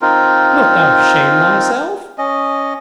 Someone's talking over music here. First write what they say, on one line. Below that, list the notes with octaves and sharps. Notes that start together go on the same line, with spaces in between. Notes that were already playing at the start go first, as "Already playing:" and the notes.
Wilt thou shame thyself?
C4 D#4 F4 A#4
C#4 D#5